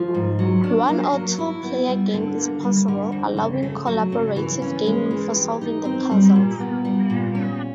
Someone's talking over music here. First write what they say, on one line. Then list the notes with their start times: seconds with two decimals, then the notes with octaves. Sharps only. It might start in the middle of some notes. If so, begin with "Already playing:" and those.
One or two-player game is possible, allowing collaborative gaming for solving the puzzles.
Already playing: F3
0.14 G#2
0.39 F#3
0.64 D4
0.88 A#3
1.13 F#3
1.38 E4
1.63 B3
1.88 G3
2.14 D3
2.38 A#3
2.63 G3
2.88 D3
3.12 F2
3.37 C#3
3.63 A3
3.87 F#3
4.12 C#3
4.36 E3
4.62 C#4
4.86 G#3
5.11 E3
5.36 G4
5.61 D#4
5.85 C4
6.11 G3
6.36 A#2
6.60 B3
6.85 G3
7.10 A#2
7.35 C#4